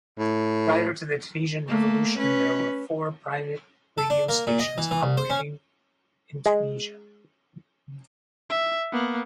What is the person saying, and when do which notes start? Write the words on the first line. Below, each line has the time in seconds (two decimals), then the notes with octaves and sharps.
Prior to the Tunisian revolution there were four private radio stations operating in Tunisia.
0.18 A2
1.68 A3 A#3
2.18 C#4 B4
3.98 A4
4.10 D4
4.29 A#3
4.47 A#2
4.59 D#5
4.78 E3
4.91 E3
5.03 C2
5.17 C5
5.30 C#4
6.46 G#3
8.50 E5
8.92 A#3 B3